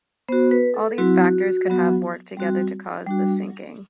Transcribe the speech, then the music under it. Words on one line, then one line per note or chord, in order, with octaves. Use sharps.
All these factors could have worked together to cause the sinking.
B3 F#4 C5
B4
A4
F#3 C4 E4 F#4
F#3 B3 F#4
G3 C4 F#4
G3 D4 F#4